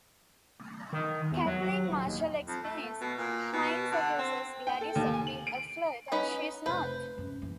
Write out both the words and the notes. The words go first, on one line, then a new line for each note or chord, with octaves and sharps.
Kathleen Marshall explains: Hines accuses Gladys of being a flirt, and she's not.
D#3
E2
F#3
D#1
D#2
F2
A3
B2
A#2
B2
D3
C4
G5
A4
D#2
G#5
F#7
D7
C#4 D#4 B4
F1 B4 C5
F#2
E3